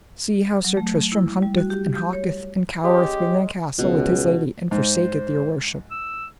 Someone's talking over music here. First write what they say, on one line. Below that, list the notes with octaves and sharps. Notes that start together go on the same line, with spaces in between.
See how Sir Tristram hunteth, and hawketh, and cowereth within a castle with his lady, and forsaketh your worship.
F#3
A3
E4
G3
F#4
G4
G6
C#5
G#3 C#4 G4
C#2 B2
G#2 C5
E6